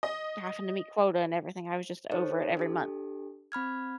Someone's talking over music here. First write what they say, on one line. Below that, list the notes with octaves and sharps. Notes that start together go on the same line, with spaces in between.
having to meet quota and everything, I was just over it every month.
D#5
D#4 A4 C5 C#5
D4 G4 A4
C4 B5 F6 G#6